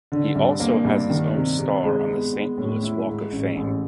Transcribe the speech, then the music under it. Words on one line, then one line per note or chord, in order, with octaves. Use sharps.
He also has his own star on the Saint Louis Walk of Fame.
D3
G2
A#3
G2
D#3
C3
C3
G#3
B3
B3
A2
E4
G#2
A1
A1